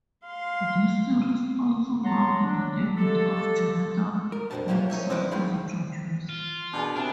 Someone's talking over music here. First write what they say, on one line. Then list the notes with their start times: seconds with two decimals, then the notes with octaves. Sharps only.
This series also marked the debut of Jonathan Goodson as a producer.
0.25 F5 C6
2.04 C#5 F#5 A5 A#5 C6
2.43 F#3 D4
2.97 G#3 A#3 G4 A4
4.32 A#4
4.51 C2 F2 G#2 E3 D4 A5
4.68 C3 E3 A#3 C#4 F4
4.90 C2 D#4 C#5 E5
5.10 C4 D#4 E4 B4 D5
5.31 E2 D#3 F3 G#4 F5 B5
6.29 F4
6.73 B2 D4 G#4 A#4
6.96 C3 B3 D4 A5